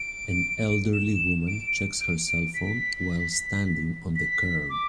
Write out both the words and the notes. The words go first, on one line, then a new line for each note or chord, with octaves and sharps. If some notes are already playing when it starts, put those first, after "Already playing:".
An elderly woman checks her cellphone while standing on the curb.
Already playing: D7
E7
D7
D7
B6
B6
D6